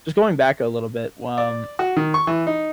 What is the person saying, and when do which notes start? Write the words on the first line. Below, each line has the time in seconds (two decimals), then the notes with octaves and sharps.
just going back a little bit, um,
1.38 D5
1.79 F#4
1.96 D#3
2.14 C#6
2.27 E3
2.47 D#4